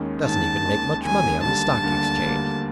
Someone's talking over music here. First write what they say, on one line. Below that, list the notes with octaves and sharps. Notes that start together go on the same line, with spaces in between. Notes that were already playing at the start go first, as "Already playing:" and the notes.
He doesn't even make much money on the Stock Exchange.
Already playing: D#2 D#3 G#3 C#4
D#2 D#3 G#3 C#4 A5
D#2 D#3 G#3 C#4
D#2 D#3 G#3 C#4 G#5
D2 D3 G3 A#3 A5
D2 D3 G3 A#3
D2 D3 G3 A#3